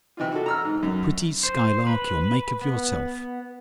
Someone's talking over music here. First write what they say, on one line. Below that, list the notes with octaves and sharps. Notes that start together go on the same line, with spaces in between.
A pretty skylark you'll make of yourself!
C3 E3 D#4 F4
F#4 A4
A#5 E6 F6
G#2
F#2
C5
B4
B3